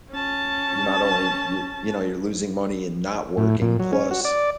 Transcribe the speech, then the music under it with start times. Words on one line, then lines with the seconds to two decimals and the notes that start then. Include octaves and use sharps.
you're not only you're you know, you're losing money and not working plus,
0.10 C#4 A5
3.37 A2
3.62 A#2
3.80 F#3
3.93 C#4
4.11 F#4
4.25 D5